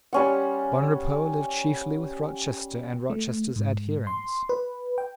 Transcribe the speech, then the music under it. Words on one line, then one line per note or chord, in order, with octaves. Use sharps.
Bonrepaux lived chiefly with Rochester and Rochester's adherents.
G3 C#4 F#5
A3
G#2
C6
B4
G5